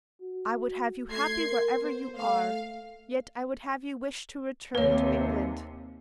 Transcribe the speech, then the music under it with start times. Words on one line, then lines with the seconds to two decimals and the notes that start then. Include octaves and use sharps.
I would have you happy wherever you are: yet I would have you wish to return to England.
0.21 F#4
1.09 A3 C6 G#6 C7
1.39 A#4
1.82 B3 C5
2.16 A3 F5
4.75 D#2 C3 B4 C#5